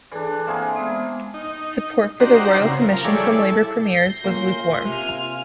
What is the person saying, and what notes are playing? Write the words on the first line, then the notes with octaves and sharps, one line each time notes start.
Support for the royal commission from Labor premiers was "lukewarm".
E3 D4 G#4 A4 D5
A#3 C4 G#4 E5
G#3 B3
D#4
D4 D#4 F#4 G4 C5 A#5
C#3 C4
F3 A#4
G3 E4 G#4 A4 C#5 D5
E4 A4
G6 A#6 C7
A#3 C#4 F4
C3 G#5 F6